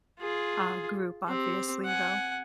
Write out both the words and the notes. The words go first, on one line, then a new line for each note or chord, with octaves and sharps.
uh, group, obviously, though.
F4 G#4
C4 G4
F#5 G#5